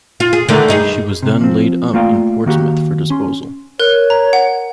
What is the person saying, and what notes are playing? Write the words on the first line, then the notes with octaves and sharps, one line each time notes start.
She was then laid up in Portsmouth for disposal.
F4
G#4
D3 D#3 A3
G2 D#4 G#4
C3
F3 C4
A3 A#3 F4 D5 F5 G5
D#3 A#3 F#4 G4
C#4 C6
A#4 C#5 F#6
A#5
F#5